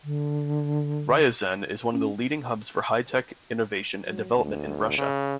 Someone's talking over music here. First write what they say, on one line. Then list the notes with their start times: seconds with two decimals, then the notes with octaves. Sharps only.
Ryazan is one of the leading hubs for high-tech innovation and development in Russia.
0.04 D3
1.93 C#4
4.05 F#3
4.36 D2
4.98 C#3